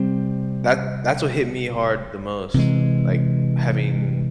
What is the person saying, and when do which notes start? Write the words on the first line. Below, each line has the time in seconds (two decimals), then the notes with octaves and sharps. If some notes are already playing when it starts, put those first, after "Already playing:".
That that's what hit me hard the most. Like, having
Already playing: C3 G3 C4
2.54 C3 E3 G#3